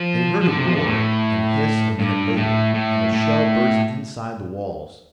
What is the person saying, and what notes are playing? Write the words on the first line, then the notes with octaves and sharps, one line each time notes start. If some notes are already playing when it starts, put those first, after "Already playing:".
They heard a roar and hiss a minute later, and a shell burst inside the walls.
Already playing: F3
F3
D3
C3
F3
D3
A2
G2
A2
A2
A2